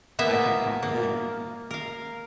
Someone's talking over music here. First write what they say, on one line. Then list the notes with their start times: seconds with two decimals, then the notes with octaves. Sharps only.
I can't comprehend.
0.19 A#3 B3 E5 G#5
0.83 A#3
1.71 A#4 F5